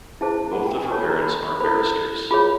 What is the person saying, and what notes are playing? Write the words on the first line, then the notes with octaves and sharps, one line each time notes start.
Both of her parents are barristers.
E4 G#4 C5 A5
F#5
G5
G#5
F4 A4 C#5 A5
A#5
B5
C6
B5
E4 A4 C5 B5
F4 G#4 C#5 B5